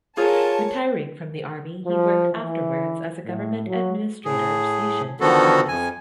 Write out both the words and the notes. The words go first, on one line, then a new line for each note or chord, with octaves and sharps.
Retiring from the army, he worked afterwards as a government administrator stationed in Paris.
F4 G#4 A#4 C#5 G#5 A5
F3
E3
A2
F#3
A2 G#4
D3 D#3 F3 B3 F#4 A4
F2 G#5